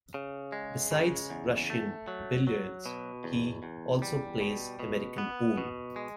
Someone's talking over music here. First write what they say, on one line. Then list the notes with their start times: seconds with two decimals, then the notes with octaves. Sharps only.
Besides Russian billiards, he also plays American pool.
0.14 C#3
0.52 G#3
0.91 C#3
1.30 E2
1.70 A3
2.08 F#3
2.47 F#3
2.86 B2
3.24 E2
3.63 E2
4.02 G3
4.41 B2
4.79 B2
5.18 B3
5.58 B2
5.96 G#3